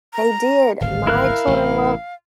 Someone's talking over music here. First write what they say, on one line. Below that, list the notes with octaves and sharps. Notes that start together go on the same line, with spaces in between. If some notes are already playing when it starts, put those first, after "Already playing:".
They did, my children loved
A#5
D1 G#1 F5
E4 A#4 F#6
A1 C3